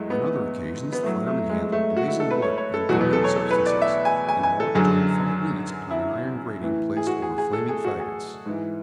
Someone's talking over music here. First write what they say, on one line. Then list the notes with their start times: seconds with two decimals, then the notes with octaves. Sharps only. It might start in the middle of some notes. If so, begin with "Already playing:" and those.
On other occasions the fireman handled blazing wood and burning substances, and walked during five minutes upon an iron grating placed over flaming fagots.
Already playing: E2 F#3 G#3 A3
0.10 B3
0.92 B3
1.03 A2 A3
1.06 F#3
1.26 A3
1.49 G#3
1.72 A3
1.97 F#4
2.08 E4
2.20 A4
2.31 B4
2.42 C#5
2.58 C#5
2.74 A4
2.89 E2 B2 F#3 F#4
3.01 B3
3.13 A4
3.24 C#5
3.36 A4
3.51 B4
3.66 D5
3.82 E5
4.05 G#5
4.29 G#5
4.43 G#5
4.60 A4
4.75 F#2 D3 F#3 G#4
5.90 E4
6.60 A2 E3
6.97 G#4
7.07 F#4
7.22 G#4
7.38 G#4
7.53 A4
7.69 G#4
7.85 F#4
8.00 G#4
8.46 G#2 E3